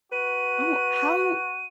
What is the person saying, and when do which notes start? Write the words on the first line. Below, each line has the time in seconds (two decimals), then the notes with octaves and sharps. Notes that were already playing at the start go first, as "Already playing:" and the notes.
Oh, how
0.12 F#4 B4 D#7